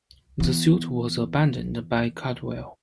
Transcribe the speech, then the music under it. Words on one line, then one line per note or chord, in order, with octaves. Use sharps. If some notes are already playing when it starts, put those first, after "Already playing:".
The suit was abandoned by Caldwell.
E3 B3